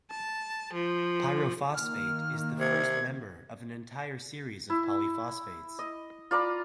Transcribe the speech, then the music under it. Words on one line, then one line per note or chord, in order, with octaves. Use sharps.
Pyrophosphate is the first member of an entire series of polyphosphates.
A5
F3
D#3 A#3 F6
C3 G#6
E4
D#5
F4 D5 A#5 B5